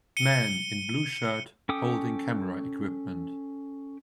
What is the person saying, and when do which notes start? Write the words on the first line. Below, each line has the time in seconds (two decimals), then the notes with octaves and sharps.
Man in blue shirt holding camera equipment.
0.17 C#7 D#7 G7
1.69 C#4 A4 G5 D6 D#6